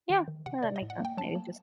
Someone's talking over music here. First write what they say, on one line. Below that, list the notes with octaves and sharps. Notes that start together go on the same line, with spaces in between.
Yeah. No, that makes sense maybe just
D#3
D#3
C3 F#5
C3 D5
D#5
A2
F#5
A#3 G5
F#3 A5
A#3